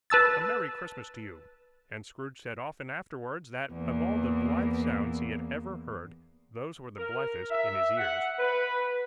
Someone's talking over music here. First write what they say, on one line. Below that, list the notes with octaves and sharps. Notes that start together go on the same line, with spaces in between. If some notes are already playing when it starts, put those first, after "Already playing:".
A merry Christmas to you!' And Scrooge said often afterwards that, of all the blithe sounds he had ever heard, those were the blithest in his ears.
B4 A5 E6 A6
E2 A#3
A#4
E5
F#5
B4